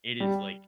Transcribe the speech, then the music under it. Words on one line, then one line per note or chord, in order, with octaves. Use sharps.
it is, like,
G3